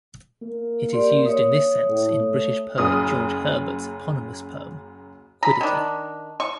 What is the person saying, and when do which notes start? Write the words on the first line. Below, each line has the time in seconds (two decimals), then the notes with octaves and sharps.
It is used in this sense in British poet George Herbert's eponymous poem, "Quiddity".
0.42 A#3
0.93 G4 D5 C6
1.25 C#5 E5 D#6
1.89 A2
2.21 A3
2.78 F#1 F#2 D#6 F6
5.43 A#5 B5
5.61 D#3 D4
6.40 C#6